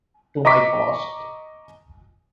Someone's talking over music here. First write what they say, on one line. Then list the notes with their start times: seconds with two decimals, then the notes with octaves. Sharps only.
To my cost.'
0.45 D#5 A#5 C#6 D6 B6